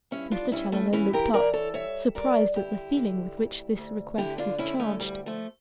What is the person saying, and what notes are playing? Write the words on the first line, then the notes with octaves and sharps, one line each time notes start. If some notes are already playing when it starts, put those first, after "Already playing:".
Mr. Challoner looked up, surprised at the feeling with which this request was charged.
G2 C#4 E4
D4 F4
G2 C#4 E4
A3 C#4
E3 C#4 E4
G4 A#4
E3 A#4 D5
A4 C#5
G2 C#5 E5
G2 A#4 D5
D3 E4 G4
D3
D2
D2
D3 E4 G4
D4 F4
D3 C#4 E4
A3 C#4
D2 G3
F3 A3